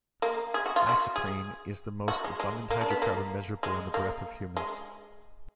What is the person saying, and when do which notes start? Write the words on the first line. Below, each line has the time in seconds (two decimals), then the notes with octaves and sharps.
Isoprene is the most abundant hydrocarbon measurable in the breath of humans.
0.22 A#3
0.54 G#4
0.66 F#4
0.76 F4
0.89 F#4
1.16 G#4
2.08 F#4
2.24 G#3
2.40 G#3
2.70 A#3
2.81 D4
2.90 B3
3.02 A#3
3.63 G#3
3.94 A#3
4.57 G#3